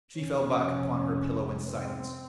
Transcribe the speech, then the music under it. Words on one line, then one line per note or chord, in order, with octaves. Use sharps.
She fell back upon her pillow in silence.
F2 C3 C#4
C4